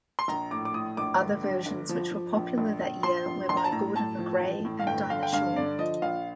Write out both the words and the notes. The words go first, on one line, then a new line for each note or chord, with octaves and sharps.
Other versions which were popular that year were by Gordon MacRae and Dinah Shore.
C6
A#1 A#5
A2 D6
D6
A2 D#6
A#1 D6
G1
G2
G1
F3
F3
A#1
A#1
A#1
F3 C6
A#1
A#1 C6
A#5
A5
A2 A#5
A2 A5
F3
A1
A2
F5
G1 G5
D3 F5
G5
G2 F5
D3 D5
F3 D#5
A#1 F5